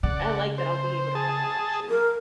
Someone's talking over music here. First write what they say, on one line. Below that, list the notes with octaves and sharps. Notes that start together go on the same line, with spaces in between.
I like that I'll be able to have that option.
C#3 D5 F#5
C5
G#4 A5
A#4